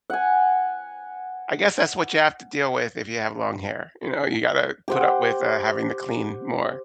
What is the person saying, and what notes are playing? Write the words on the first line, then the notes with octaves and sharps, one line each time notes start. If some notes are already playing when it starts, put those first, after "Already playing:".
I guess that's what you have to deal with if you have long hair, you know, you gotta put up with, uh, having to clean more.
F#5 G#5
G4 C5 F#5